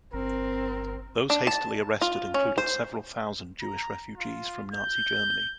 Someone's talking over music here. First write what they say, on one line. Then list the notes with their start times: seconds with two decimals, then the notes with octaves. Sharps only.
Those hastily arrested included several thousand Jewish refugees from Nazi Germany.
0.13 G1 C4 A#4
1.30 D4
1.47 A5
2.01 F4
2.34 C#4
2.58 C5
3.62 A#5
4.17 F4
4.74 G6